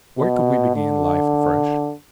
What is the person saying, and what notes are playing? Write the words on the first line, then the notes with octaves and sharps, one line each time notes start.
Where could we begin life afresh?
B2
D3